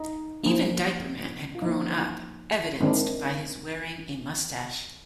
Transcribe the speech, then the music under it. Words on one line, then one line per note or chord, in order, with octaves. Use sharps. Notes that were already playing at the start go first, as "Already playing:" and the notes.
Even Diaper Man had grown up, evidenced by his wearing a mustache.
Already playing: D#4
F3 A#3
F4
F3 A#3 D#4
D#3 G#3 C4 D4